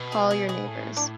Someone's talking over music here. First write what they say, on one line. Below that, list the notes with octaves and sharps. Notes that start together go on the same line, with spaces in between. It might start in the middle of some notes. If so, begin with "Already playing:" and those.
Call your neighbors!
Already playing: B2
G#4
G#4
G#4
A2
D4